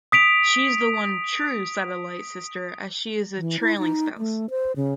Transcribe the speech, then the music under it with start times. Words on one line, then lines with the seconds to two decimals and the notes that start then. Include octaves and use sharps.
She is the one "true" satellite sister as she is a "trailing spouse".
0.12 D#6 B6 D7 F7
3.37 E3
3.60 E4
3.78 D#4
4.18 A3
4.50 C5
4.76 C#3